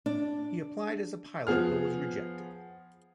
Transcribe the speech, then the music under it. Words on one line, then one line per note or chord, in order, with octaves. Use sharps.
He applied as a pilot but was rejected.
D4
F3 B3 G#4 F6